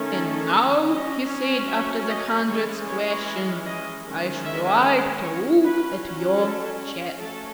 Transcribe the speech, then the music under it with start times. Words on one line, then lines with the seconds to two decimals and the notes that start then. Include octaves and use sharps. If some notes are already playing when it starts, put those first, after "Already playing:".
"And now," he said, after the hundredth question, "I should like to look at your chest."
Already playing: D#3 A3 C#4
0.11 A4
0.90 F#3 C#4 D#5
1.68 E5
2.08 D#5
2.47 E3 G#3 C#4 C#5
2.87 C#5
3.66 D#5
4.05 D#3 G#3 C#4
4.44 E5
5.23 C#5
5.63 F#3 C#4 B4
6.41 A4
7.19 F#3 A3 C#4 A4